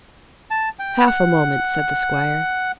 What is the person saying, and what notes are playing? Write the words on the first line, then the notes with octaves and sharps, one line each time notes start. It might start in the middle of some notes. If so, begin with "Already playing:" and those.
"Half a moment," said the squire.
A5
G5
F#5